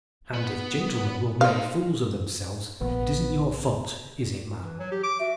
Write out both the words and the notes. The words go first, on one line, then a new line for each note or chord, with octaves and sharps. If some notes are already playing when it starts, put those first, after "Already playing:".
"And if gentlemen will make fools of themselves, it isn't your fault; is it, ma'am?"
B3
D#4 C5 F5
A#1 B3
E3
F#3
G4
D6
F#4 E5